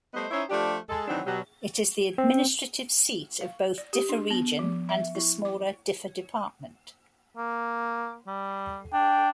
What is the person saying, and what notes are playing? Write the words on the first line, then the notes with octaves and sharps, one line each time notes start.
It is the administrative seat of both Diffa Region, and the smaller Diffa Department.
G3 A3 B3 C5 D#5
C#4 D#4 E4 C5 C#5 E5
F3 A3 D4 F4 G4
G#3 A4
D#3 E3 F#3 C4 D4 D#4
B2 F#3 G3
C4
F5
D5
G4
D4
B3
F3
E5
E4
D6
A#3
G3
D4 G5